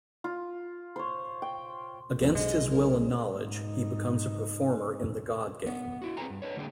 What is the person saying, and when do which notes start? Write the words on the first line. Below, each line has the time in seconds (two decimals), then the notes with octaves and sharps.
Against his will and knowledge, he becomes a performer in the godgame.
0.24 F4
0.96 C5 C#5
1.42 G5
2.21 A#1 F2 A#2 A4
2.35 B1 G#3 D#5
2.71 A#4
3.30 G#2 D#4
5.66 B3
6.02 E4 F#4
6.17 C4 G#4 A#4 B4 G#5 A#5
6.30 G2
6.42 D4 B4 C#5
6.56 A2 D3 A#3 D4 G#4 G5